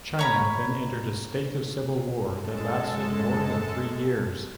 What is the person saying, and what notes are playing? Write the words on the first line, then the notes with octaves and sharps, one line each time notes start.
China then entered a state of civil war that lasted more than three years.
C#5 A#5 B5
F#2 G#3 A4 A5